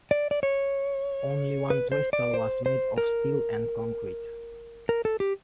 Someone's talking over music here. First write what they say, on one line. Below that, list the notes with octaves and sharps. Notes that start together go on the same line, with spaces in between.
Only one trestle was made of steel and concrete.
D5
D5
C#5
B4
C5
D5
C5
C5
A#4
A#4
A4
G4